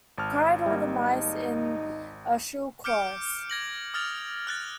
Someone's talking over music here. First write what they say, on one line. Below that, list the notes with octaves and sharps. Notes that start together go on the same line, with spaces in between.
Cried all the mice, in a shrill chorus.
G#1 A5 F6
G3 A#3 D#4
D6 F6 G6 C#7 D7
G#6 A#6 F#7
D#6 F6 A6 F7
F6 F#6 A6